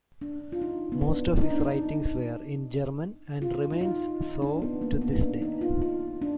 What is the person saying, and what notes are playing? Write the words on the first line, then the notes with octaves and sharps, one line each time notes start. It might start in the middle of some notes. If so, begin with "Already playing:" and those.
Most of his writings were in German and remain so to this day.
D4
F4
D#4
B3
D4
D#4
D4
D#4
F4
D#4
F4
D#4
D4
B3
A#3
B3
D#4
D4
D#4
F4
F4
D4